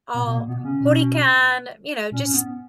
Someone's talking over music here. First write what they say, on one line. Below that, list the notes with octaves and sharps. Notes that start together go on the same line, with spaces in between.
all "hurricane," you know, just
A#2 B3
B2
A#2 A#3
B2 B3
C#3 C#4
B2
A#2 C#4
C#4
G#2
B3